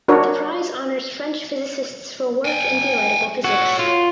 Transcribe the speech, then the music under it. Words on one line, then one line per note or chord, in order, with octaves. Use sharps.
The prize honors French physicists for work in theoretical physics.
D4 F#4 A#4 C#5
G5 G#5
F#4 A4 C#5
F4